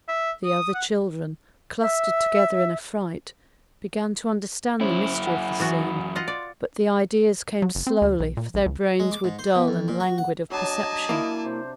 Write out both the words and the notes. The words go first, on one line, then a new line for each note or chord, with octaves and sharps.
The other children, clustered together in affright, began to understand the mystery of the scene; but the ideas came slowly, for their brains were dull and languid of perception.
E5
D#6
F#5
E5
F#2 C#4 E4 C5
F#5 G#5 B5
E3 B3 F#4
F4 D#5 F#5 C6
D5
F#3
F#1
C4
D2
B1
A#2
A#1
C#2
G#3
D6
G#2
C5
B2
F2
A#2
F#4
F#5
F#3 D4 D#5 G#5 A5
A#3 E4
C3 C5